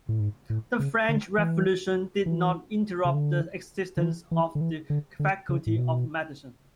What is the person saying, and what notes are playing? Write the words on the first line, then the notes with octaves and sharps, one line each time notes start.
The French Revolution did not interrupt the existence of the faculty of medicine.
A2
G#2
A2
C#3
D3
E3
E3
C#3
D3
D3
E3
E3
D3
E3
D3
D3
C#3
A2
B2